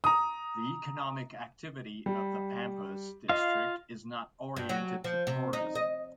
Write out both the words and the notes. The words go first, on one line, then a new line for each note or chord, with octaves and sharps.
The economic activity of the Pampas district is not oriented to tourism.
A#5 D#6
G3
F4 D#5 F5
G2
F#3
F3
C3
D#4
D#5